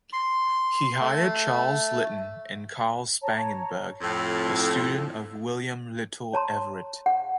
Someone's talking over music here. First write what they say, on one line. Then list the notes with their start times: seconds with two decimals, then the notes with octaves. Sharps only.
He hired Charles Litton and Karl Spangenberg, a student of William Littell Everitt.
0.13 C6
1.00 A3
3.22 C#5 A5 A#5
4.01 F2 A2 A4 E6
6.34 C#5 A5 A#5 C6
7.06 F#5